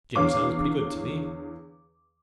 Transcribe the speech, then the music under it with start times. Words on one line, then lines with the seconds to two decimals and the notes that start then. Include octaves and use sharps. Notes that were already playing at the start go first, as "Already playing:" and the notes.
Jim sounds pretty good to me.
0.15 E2 D3 C#5 F5 D6